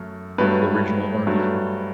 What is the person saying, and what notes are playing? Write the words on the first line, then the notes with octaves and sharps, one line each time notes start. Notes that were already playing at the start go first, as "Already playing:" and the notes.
The original, one of the original.
Already playing: F#2 A3
G2 F#3 A3 B4
G2 F#3 A3